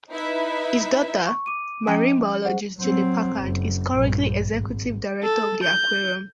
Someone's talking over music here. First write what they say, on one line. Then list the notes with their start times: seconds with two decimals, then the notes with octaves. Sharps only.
His daughter, marine biologist Julie Packard, is currently Executive Director of the aquarium.
0.11 D#4 E4 B4 E5
1.27 C#6
1.46 D6 D#7
1.87 F3 C#4 G5
2.45 G#4 C5 F#5
2.78 F#3 C4
3.37 F#1
3.96 A#1 G2
4.41 G#1
5.23 A4
5.63 G6